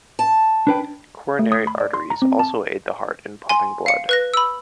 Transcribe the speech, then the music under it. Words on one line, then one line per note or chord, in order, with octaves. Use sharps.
Coronary arteries also aid the heart in pumping blood.
A5
D4 B4 G5
A3
D#6
B5
D5
C6
A#5
C4
A5
G#5 C6
F5 C#7
B4 F#6 A#6
B5 E6